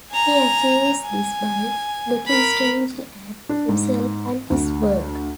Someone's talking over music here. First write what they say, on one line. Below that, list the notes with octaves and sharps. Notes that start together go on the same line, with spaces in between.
He achieves this by looking strangely at himself and his work.
G#5 A#5
G#5
A#4 B5
D4
G#2
D2